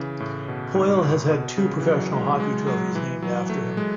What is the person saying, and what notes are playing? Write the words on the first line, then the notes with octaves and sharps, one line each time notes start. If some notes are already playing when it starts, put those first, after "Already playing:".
Poile has had two professional hockey trophies named after him.
Already playing: C#3 E3
A2
B2
G#2
A2
B2
C#3
E3
F#3
G#3
G#3
F#3
E3
F#3
A3
G#3